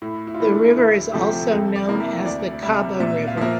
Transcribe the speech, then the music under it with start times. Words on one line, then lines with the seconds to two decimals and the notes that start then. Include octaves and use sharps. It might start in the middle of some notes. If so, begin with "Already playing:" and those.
The river is also known as the Kaba River.
0.02 A2 E4
0.27 E4
0.34 F4
0.40 E3 A3 E4
0.52 D4
0.77 D2 E4
1.13 C3 F3 A3 C4 G4
1.51 F2 A4
1.76 D5
1.88 C3 E3 A#3
2.00 E5
2.25 D2 D5
2.63 C3 G3 E5
3.00 A#2 E5
3.27 F5
3.37 F3 A#3 E5